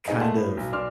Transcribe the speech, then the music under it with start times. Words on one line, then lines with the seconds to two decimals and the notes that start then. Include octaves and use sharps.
kind of
0.08 A3 C4 D#4 G#4 C5 D#5
0.21 A3 F#5 A5 C6
0.36 A2
0.57 B1
0.72 B1 D4 C6 D6 F6